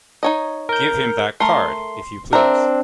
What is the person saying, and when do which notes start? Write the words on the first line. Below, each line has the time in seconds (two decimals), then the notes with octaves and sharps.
Give him that card if you please.
0.23 D#4 C#5 D#5
0.69 A#4 G6
1.40 A3 A#4 C6
2.33 C4 D4 A#4 E5